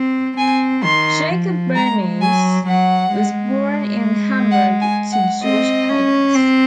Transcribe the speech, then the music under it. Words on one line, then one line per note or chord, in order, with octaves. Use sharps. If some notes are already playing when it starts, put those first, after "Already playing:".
Jacob Bernays was born in Hamburg to Jewish parents.
Already playing: C4
C4 G#5
D#3 C6
F3
G#3 A#5
F#3 G#5
F#3 F#5
G#3
F#5
G#5
F#5
C4 D#5
C#4
C4